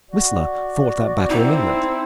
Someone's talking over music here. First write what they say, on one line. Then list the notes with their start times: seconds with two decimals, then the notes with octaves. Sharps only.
Whistler fought that battle in England.
0.12 F#4 D5
1.30 C4 D#4 E4